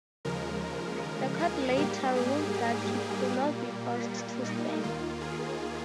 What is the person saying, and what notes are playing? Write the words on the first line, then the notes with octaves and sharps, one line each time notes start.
The court later ruled that he could not be forced to stand.
D#2 C#3 F3 G#3 A#4
G#4
G#2 G3 A#3 G4
G#4
G4
A#2 G3 A#3
D#4
D#2 D#3 A#3 F4
G#4